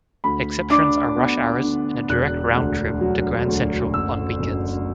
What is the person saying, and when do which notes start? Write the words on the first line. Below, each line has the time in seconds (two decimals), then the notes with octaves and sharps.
Exceptions are rush hours and a direct round-trip to Grand Central on weekends.
0.24 D2 B5
0.70 D4 D6
1.16 B3
1.63 D3
2.09 E1 F#6
2.56 D2
3.01 F#3
3.48 D2
3.94 F#1 E6
4.40 F#1